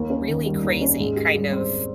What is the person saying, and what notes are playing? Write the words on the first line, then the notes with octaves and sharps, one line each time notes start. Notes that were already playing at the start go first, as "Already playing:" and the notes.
really crazy kind of,
Already playing: D#2 A#3
C#4
D#3
G3
D#2
C#4
G#2
G4
G3
C4